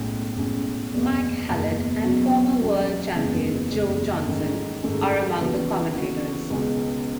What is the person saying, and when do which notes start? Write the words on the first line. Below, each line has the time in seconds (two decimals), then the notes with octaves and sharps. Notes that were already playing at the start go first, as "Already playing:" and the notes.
Mike Hallett and former world champion Joe Johnson are among the commentators.
Already playing: B1 A2 G#3 C#4
0.37 B1 A2 G#3 C#4
0.93 F#1 E2 B2
1.48 F#1 E2 B2
2.04 E2 B2 F#3 C#4 F#4
2.60 E2 B2 F#3 C#4 F#4
3.15 F#1 E2 C#3 E3 G#3
3.71 F#1 E2 C#3 E3 G#3
4.27 G#2 D#3 A3 C#4
4.83 G#2 D#3 A3 C#4
5.38 D#2 C#3 E3 B3 F#4
5.94 D#2 C#3 E3 B3 F#4
6.50 C#2 B2 G#3 C#4 G#4